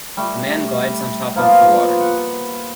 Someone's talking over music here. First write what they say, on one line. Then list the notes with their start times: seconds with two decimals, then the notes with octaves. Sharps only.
A man glides on top of the water.
0.17 G3 A3
1.36 F3 A#3 B3 F4
2.01 F#5